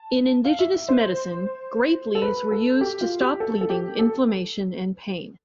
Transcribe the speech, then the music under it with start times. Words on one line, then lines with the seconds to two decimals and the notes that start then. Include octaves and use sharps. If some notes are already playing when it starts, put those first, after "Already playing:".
In indigenous medicine, grape leaves were used to stop bleeding, inflammation, and pain.
Already playing: A5
0.45 F5
0.59 E5
0.74 E5
0.89 C5
2.15 A4
2.22 B4
2.51 A4
2.81 G4
3.01 F4
3.21 G4
3.40 A4
3.61 A4
3.69 G4
3.99 A4